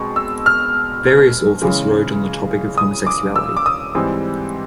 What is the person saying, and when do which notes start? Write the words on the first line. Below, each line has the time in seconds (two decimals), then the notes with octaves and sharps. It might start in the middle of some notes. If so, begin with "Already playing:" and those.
Various authors wrote on the topic of homosexuality.
Already playing: B2 G#3 C4 C#6
0.16 E6
0.46 F6
1.62 C#3 E3 G#3 C#4
2.78 D#6
3.07 D6
3.36 E6
3.57 D6
3.66 D#6
3.95 G#2 E3 G3 C4